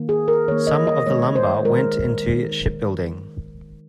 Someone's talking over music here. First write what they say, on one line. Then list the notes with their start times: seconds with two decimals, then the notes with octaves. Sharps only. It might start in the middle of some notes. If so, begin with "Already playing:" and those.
Some of the lumber went into shipbuilding.
Already playing: D#3 A#3
0.09 G#4
0.28 A#4
0.48 D#3 A#3 C#5
0.67 D#5
0.87 D#5
1.06 D#3 G#3 C#5
1.35 C5
1.65 D#3 G#3 A#4
2.23 D#3 G#3